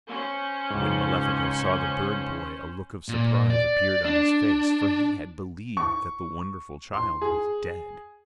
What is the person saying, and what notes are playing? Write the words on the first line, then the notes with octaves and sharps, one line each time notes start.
When Malefico saw the bird-boy, a look of surprise appeared on his face, for he had believed that the wonderful child was dead.
C#4 C5
C#2 G#2
A#2
D5
D4
C#6
C6
G#4